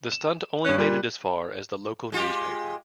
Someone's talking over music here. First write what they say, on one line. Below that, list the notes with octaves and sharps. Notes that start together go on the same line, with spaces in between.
The stunt only made it as far as the local newspaper.
E7
G2 C#4 F#6
A#2 G3
G#3 F4 G4